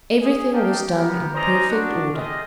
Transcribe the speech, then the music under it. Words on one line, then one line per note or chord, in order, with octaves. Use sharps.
Everything was done in perfect order.
G#4
A#3 D#4 G4 F5 G5 A5
B3 G4 A#4
C#4 D#4 C5 D5 D#5 A#5
D4 F#4
A3 F4 G4 G#4 D#5